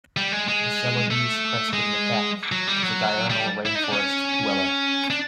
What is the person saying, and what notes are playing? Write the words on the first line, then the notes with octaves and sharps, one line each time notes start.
The Celebes crested macaque is a diurnal rain forest dweller.
G3
G#3
G#3
A3
G#3
F#3
G3
F#3
G3
E4
D#4
D4
C#4
D4